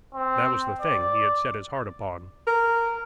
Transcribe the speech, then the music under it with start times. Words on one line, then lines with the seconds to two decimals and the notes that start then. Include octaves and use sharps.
That was the thing he had set his heart upon.
0.14 C4
0.81 D5
2.47 A#4